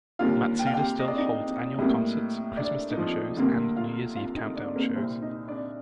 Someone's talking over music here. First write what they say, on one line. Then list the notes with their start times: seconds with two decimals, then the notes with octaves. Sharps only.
Matsuda still holds annual concerts, Christmas dinner shows and New Year's Eve Countdown shows.
0.19 D#2 D3 G3 A#3 F4 F5
0.59 G5
0.67 F5
0.73 G4 G5
0.99 D#5
1.08 D5
1.18 D#4 D#5
1.78 A2 G3 A#3
2.57 D4 D5
2.91 D#4
2.97 F3 F4
3.37 D2 D3 G3 A#3
3.76 F4 F5
4.16 F4 F5
4.36 D#4 D#5
4.56 D4 D5
4.75 A#3 A#4
4.95 C2 A#2 G3 C4 C5
5.22 D#4 D#5
5.48 D4 D5